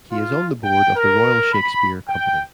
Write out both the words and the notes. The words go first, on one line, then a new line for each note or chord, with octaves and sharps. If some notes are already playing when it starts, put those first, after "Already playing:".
He is on the Board of the Royal Shakespeare Company.
F4
G5
A#4
B5
G5